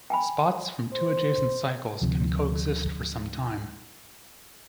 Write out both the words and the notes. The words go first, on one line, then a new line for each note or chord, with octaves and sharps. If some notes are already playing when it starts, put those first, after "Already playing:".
Spots from two adjacent cycles can co-exist for some time.
G5 G#5 B5
C5
D2 C3 F3